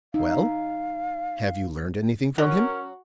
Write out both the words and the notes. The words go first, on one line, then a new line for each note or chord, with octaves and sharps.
"Well, have you learned anything from him?"
D#4 F5
F#3 C#4 F#4 A#4